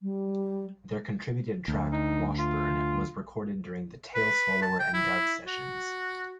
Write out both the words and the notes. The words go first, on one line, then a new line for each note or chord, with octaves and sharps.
Their contributed track "Washburn" was recorded during the "Tail Swallower and Dove" sessions.
G3
D2
D#4
F4
B4
A5
G5
E4
F#4